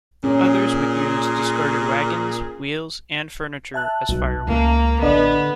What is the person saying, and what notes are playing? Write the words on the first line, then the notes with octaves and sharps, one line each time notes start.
Others would use discarded wagons, wheels and furniture as firewood.
A#2 C#4 G#4
E5 A5 F#6
B1
C#2 A#3
A1 D3 B3 D4 D#5